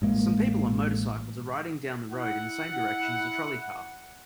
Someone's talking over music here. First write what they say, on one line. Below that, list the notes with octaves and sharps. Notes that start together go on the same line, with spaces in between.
Some people on motorcycles are riding down the road in the same direction as a trolley car.
A1 G#3 A#3
E4 F#5